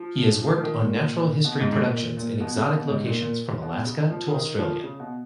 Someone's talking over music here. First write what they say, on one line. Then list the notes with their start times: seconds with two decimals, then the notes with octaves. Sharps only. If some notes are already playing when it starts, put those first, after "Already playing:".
He has worked on natural history productions in exotic locations from Alaska to Australia.
Already playing: F3
0.42 F3
0.47 D#3
0.57 F3
0.63 D#3
0.80 A#2
1.44 B2
1.60 G#2
1.72 G#2
1.77 A#2
1.93 A#2
2.17 A#2
2.40 B2
2.57 C#3
2.73 B2
2.89 G#2
3.06 A#2
3.22 A#2
3.62 B2
3.87 C#3
4.10 F3
4.27 C#3
4.35 D#3
4.59 F3
4.84 C#3
5.00 B2